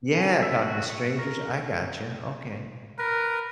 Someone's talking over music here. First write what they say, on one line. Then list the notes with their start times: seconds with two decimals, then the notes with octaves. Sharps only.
Yeah, talking to strangers. I gotcha, okay.
0.15 G#5
0.43 E5
0.62 F#4
0.90 C#6
1.19 A#4
2.98 A#4 B4